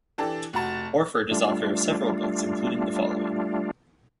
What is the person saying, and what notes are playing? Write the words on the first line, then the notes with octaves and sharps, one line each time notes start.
Orford is author of several books including the following.
E3 D4 G4 A4
F1 F#4 A5
G3 A3 D4 F4